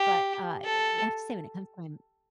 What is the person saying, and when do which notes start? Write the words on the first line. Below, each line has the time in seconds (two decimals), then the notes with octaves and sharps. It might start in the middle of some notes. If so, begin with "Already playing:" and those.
But, uh, you have to say when it comes to when
Already playing: G4
0.64 A4